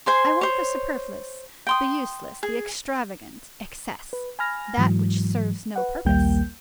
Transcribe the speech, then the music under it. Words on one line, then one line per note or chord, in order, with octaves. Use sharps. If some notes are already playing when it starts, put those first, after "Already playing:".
I want the superfluous, the useless, the extravagant, excess, that which serves no purpose.
C5 G#5 C6
C5 C#5
G5 C6 D#6
G#4
B4
G#5 B5 F6 A#6
G#2 E3 F#3
B4 F#5
A#1 D#2 G3 A#3 G5 G6